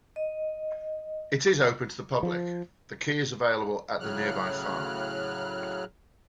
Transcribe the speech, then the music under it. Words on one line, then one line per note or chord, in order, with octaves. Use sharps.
It is open to the public; the key is available at the nearby farm.
D#5
F3
A2 C#3 F#3 F6 F#6